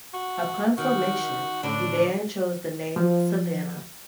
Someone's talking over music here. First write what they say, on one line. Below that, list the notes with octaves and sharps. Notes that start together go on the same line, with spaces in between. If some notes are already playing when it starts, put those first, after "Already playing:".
Upon formation, the band chose the name Savanna.
F#4
D#3 F#4
A2 D3 D4
F3